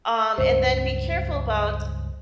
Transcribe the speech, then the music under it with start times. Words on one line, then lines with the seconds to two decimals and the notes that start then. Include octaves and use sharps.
um, and then be careful about
0.38 C#2 G2 C5